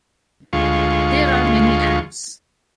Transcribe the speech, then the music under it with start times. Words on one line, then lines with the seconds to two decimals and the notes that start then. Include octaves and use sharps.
There are many ads.
0.53 D2 G#3 F4 C#6